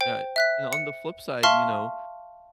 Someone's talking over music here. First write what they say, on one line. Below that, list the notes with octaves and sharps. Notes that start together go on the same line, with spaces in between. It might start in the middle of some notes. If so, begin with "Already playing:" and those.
Yeah, and on the flip side, you know,
C5 G5
E5 F#6 B6
C#7
E5 F5 A5 C6 C#6 F6